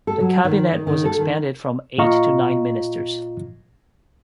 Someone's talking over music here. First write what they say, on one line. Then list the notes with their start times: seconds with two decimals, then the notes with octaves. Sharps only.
The cabinet was expanded from eight to nine ministers.
0.07 A4
0.20 F#3
0.45 D#3
0.72 D#3
0.87 D#3
1.05 A4
1.18 D#3
1.98 A#2 F4 D#5 F5 A#5 C#6